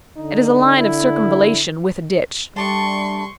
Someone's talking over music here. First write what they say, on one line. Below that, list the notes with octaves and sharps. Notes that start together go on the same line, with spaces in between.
It is a line of circumvallation with a ditch.
D3 D#4
E4
G3 A3 D4 A5 C6 C#6